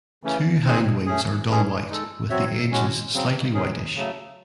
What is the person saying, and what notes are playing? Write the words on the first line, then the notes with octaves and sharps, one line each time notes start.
Two hind wings are dull white with the edges slightly whitish.
C#3 E3 A3 C#4
C4 D#4 G#4
A3 C#4 G#4
E3 G#3 C#4 G#4
G#3 D#4 A4
F#3 C4 F#4 C#5 E5
A2 G#3 C#4 F#4
C#3 F#3 C4
C3 D#3 F#3 C#4 G#4
C#3 F#3 A3